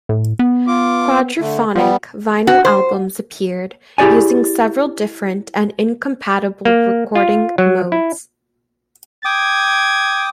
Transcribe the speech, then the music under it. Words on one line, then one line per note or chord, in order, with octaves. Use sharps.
Quadraphonic vinyl albums appeared, using several different and incompatible recording modes.
A2
B3
F4 D6
D3 A3
F3 G3 B3
F#4
C5
E4 G4 G#4 D5 G#5
A#3
F4
F#3
E4
G5 D6 D#6 G#6